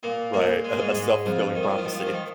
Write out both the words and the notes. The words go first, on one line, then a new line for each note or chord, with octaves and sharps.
Right, a a self-fulfilling prophecy.
A#2 A#3
A#2 A#3
G#3
A#3
G#2 G#3
G#2 G#3
F2 F3
D#3
F3
D#3
F3
D#3
F3
D#3
F3
D#3